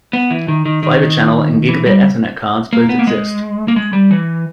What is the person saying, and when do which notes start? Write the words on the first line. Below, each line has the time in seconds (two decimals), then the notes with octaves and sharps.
Fibre channel and Gigabit Ethernet cards both exist.
0.13 B3
0.31 E3
0.48 D#3
0.65 D#3
0.83 D#3
1.69 E3
1.86 G3
2.73 A#3
2.89 B3
2.99 A#3
3.07 G#3
3.68 A#3
3.76 G#3
3.93 G3
4.11 E3